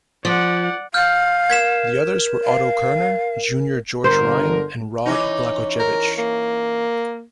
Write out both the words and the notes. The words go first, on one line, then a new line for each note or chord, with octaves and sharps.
The others were Otto Kerner Junior George Ryan, and Rod Blagojevich.
F3 D5 F#5
F5 F6 G6
A#4 G#6 B6 E7
F5
G1 D3 A#4 C5
E3 C#4 D#4
A#4
A#3